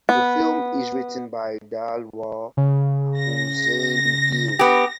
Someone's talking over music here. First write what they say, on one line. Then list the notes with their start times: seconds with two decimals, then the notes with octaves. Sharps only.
The film is written by Delwar Hossain Dil.
0.09 B3
2.57 C#3
3.17 A#6
4.59 B3 G4